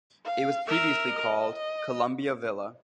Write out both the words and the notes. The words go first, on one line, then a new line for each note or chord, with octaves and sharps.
It was previously called Columbia Villa.
F5
A#4 E5
D#5
D#5